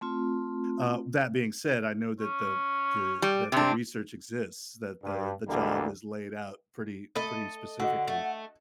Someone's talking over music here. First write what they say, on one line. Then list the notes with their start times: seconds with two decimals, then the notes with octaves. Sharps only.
Uh, that being said, I know that the the that the research exists, that the the job is laid out pretty pretty specifically.
0.01 A3 C4 F4
2.20 C#4
3.22 G3
3.52 C3 C4 D4
5.03 G2
5.48 D2 B2 D3 E3 G3 A#3
7.16 A3 A4 D#5 B5
7.80 D3 F#4 D#5 F#5
8.08 A3